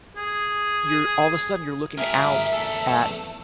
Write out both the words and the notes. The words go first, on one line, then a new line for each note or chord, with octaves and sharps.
you're all the sudden, you're looking out at
G#4
G#4 A#4 E5
E2 A4